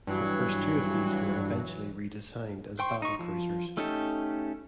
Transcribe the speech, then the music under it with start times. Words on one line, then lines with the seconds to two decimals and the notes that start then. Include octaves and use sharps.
The first two of these were eventually redesigned as battlecruisers.
0.07 G2 E3 F#3
2.79 C5 G5 C6 C#6
3.02 D#4 C#6
3.19 F3
3.77 A3 C#4 D#4 G4 A4